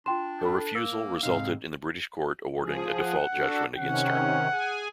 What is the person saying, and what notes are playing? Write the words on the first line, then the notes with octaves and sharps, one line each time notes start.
Her refusal resulted in the British Court awarding a default judgment against her.
D4 F4 G5 C6 E7
A4 B5
A#3 A#4 E6
G#2 C3 D#4 F5
F3 G#4
F#5
D4 F#4 A4
C3 D#3 C#4 F#5
G#4 G#5